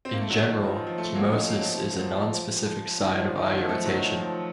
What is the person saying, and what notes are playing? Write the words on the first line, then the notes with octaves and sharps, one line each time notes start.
In general, chemosis is a nonspecific sign of eye irritation.
C4
A#3
A3
D#3 F#3
D#3
F3
F3
D#3
F3
F3 A3
F#3 A#3
D#4
A#3 C#4
F#3 A#3
F3 A3
F#3
F3
F3
D#3 F#3
F3
F3
D#3
D#3 F#3
F3 A3
F3 A3
D#3 F#3
D#3
F3